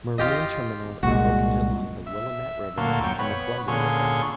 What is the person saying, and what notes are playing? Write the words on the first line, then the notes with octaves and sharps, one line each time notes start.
Marine terminals are located along the Willamette River and the Columbia River.
F4 G4 D#5
C2 A#2 G#3 F#4
E5
D2 A#2 A#3 F#4 A4 C6
F#2 G5 C#6
B3 C#5 B5
A#2 D3 C#4 G#4 C6 C#6